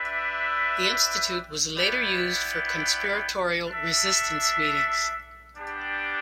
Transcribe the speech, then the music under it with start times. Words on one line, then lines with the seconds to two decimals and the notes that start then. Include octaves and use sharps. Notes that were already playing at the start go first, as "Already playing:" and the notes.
The Institute was later used for conspiratorial resistance meetings.
Already playing: D4 G4 B4 E5
1.76 B3 E4 B4 D5 G5
3.66 D4 A4 E5
5.54 G3 B3 D4 G4